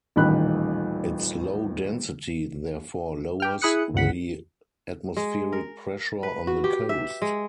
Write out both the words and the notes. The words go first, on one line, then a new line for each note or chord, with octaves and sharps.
Its low density, therefore, lowers the atmospheric pressure on the coast.
D#1 A1 D#3 B5 F#6
G4 G5 F6
E4 G#4 B5 D#6 F#6 C#7
G1 C#2 F#5 B6
G#3
A#4
B4
F#4
G4
E5
G#3